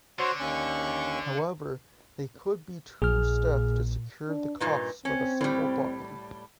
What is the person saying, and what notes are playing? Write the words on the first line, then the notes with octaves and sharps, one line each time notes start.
However, they could be too stiff to secure the cuffs with a simple button.
D3 F#4 C5 C#5
D#2 C#4 C#6
A#1 A#2 G#4 F6
D4
G2 A#2 D#4 B4
C4 C#4
A2 G3